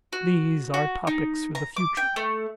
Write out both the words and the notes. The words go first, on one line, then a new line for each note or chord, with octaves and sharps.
These are topics for the future.
F#4
F#4
D#4
A#5
D6
G5
A3